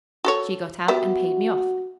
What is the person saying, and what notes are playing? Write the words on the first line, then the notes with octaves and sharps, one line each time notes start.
She got out and paid me off.
F#4 A4 C#5
B3 F#4 G4 E5